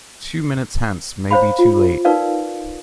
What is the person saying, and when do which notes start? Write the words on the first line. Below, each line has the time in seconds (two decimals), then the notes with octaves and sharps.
Two minutes hence may be too late.
1.31 C5 C#5 F5 A#5 B5
1.59 F4
2.05 D#4 A#4 B4 D5 F5